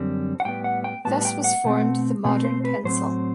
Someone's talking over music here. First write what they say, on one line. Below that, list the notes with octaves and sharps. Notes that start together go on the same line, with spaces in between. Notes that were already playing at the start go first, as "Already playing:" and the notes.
Thus was formed the modern pencil.
Already playing: F#2 D3 G3 C4
F#5
A2 G3 B3 G5
F#5
G5
A2 G3 B3 A5
G5
F#5
B2 A3 C4
B2 A3 C4
C5
B4
A2 F#3 A3 C4 C5